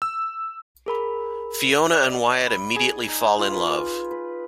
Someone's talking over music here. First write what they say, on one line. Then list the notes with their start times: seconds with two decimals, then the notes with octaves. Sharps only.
Fiona and Wyatt immediately fall in love.
0.02 E6
0.86 G#4 A#4 B5
1.92 D5
2.47 B5
2.76 G#4
3.08 D#4
3.39 F4
3.52 B4
4.11 B4